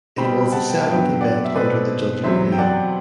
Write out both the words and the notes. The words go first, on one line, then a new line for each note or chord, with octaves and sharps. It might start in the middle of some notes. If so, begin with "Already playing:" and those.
It was the seventh event under the Judgement name.
B2 G3 C4 G5 B5
B5
F#5 A5
G5
A5
G2 F#3 B3 E5 G5
D5 F#5
E5
B2 A3 C4 B4 D5
E2 C3 F#3 C5 E5
G5
D5 F#5